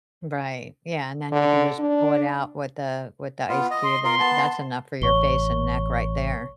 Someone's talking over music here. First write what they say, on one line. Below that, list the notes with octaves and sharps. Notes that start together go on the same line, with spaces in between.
Right, yeah, and then you can just pull it out with the with the ice cube and that that's enough for your face and neck right there.
D3
D4
B3 F4
D#5
C6
F4 A#4 C6
B3 A5
A1 C#5 C#6 G7